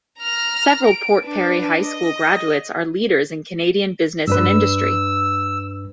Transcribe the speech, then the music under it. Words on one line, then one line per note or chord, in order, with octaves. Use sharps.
Several Port Perry High School Graduates are leaders in Canadian business and industry.
A#5 F6
D7
D4 B4
D#5
G2 D4 B4 E6